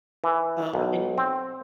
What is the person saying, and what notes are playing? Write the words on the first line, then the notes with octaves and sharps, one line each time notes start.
Um, and
E3
B1
C4